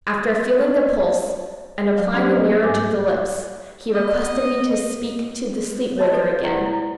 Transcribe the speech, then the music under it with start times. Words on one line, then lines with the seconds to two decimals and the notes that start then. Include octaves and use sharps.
After feeling the pulse and applying a mirror to the lips, he requested me to speak to the sleep-waker again.
1.98 F#3
2.13 G3 C#4 D4 G4 D5
2.36 D#5
2.63 G#2 G#5 D6 G6
3.95 D#5
5.97 C5 C#5 D#5 A5 C6
6.13 A4 B4 D5
6.43 E4 G4 C5 D5 F#5 A#5
6.66 E4